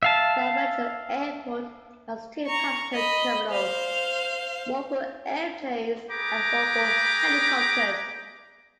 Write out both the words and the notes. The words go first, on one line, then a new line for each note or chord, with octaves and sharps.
Stavanger Airport has two passenger terminals, one for airplanes and one for helicopters.
E5 F5 A5
A#5 C#6
D#5 B5
C5 F5
G#4 B4 G5 A#5 B5 D6